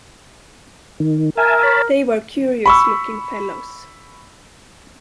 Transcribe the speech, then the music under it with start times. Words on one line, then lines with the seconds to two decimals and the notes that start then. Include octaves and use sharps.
They were curious-looking fellows.
1.00 D#3
1.37 A#4 E5 G#5 A5
1.63 C#5 A5 B5
2.66 B5 C#6 E6